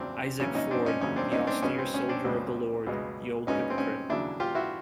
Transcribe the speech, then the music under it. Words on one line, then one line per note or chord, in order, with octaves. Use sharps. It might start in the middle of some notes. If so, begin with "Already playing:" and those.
Isaac Ford, the austere soldier of the Lord, the old hypocrite.
Already playing: E2 C#3 F#3 C4 D4
E2 C#3 F#3 C#4
C#4 D#4
C4 D4
C#4 D#4
E2 C#3 F#3 C#4
C4 D4
C#4 D#4
C4 D4
C#2 B2 G#3 B3 C#4
C4
C#4
C4 D4
C#2 B2 G#3 B3
C#2 B2 G#3 B3
C#2 B2 G#3 B3 C#4 D#4
C4
C#4
D#2 C#3 F#3 D4 E4
F4 G4
E4 F#4